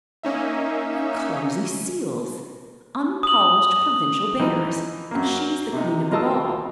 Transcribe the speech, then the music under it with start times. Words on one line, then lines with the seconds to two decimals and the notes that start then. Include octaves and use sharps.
We're clumsy seals, unpolished provincial bears, and she's the queen of the ball!
0.23 A#3 C#4 D#4 E5
3.23 D#6 F#7
4.40 E3 F3 D#4
5.11 F#2 A#3
5.73 C3 D#4
6.10 B2 F4 A#4 D#5 A5 E6